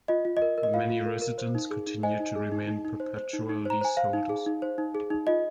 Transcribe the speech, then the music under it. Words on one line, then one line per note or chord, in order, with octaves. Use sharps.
Many residents continue to remain perpetual leaseholders.
F4 D#5
F4
D#5
A#4
A#4
D#5
F4 F5
F4
A#4
A#4
C5
D#4
G#4
D#4
C5 D#5 G#5
D#4
G#4
D#4
D#4
D#4
C5
C5
D#4
D#4
C5 A#5
C5 G#5
C5 F5
D#4
G#4
D#4
C5
D#4
G#4
D#4
F4 D#5